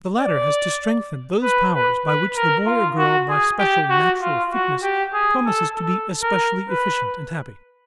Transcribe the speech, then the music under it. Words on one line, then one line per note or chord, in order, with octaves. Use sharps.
The latter has to strengthen those powers by which the boy or girl by special natural fitness promises to be especially efficient and happy.
D5
B4
B4
B4
A#4
F4
F#4
G#4
G4
F#4
F4
F#4
G4
G#4
A4
A4
A#4
B4